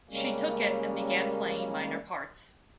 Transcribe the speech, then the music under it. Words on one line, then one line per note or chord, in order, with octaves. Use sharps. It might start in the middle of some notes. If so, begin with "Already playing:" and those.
She took it and began playing minor parts.
C#3 G3 G#3 A#3 C#4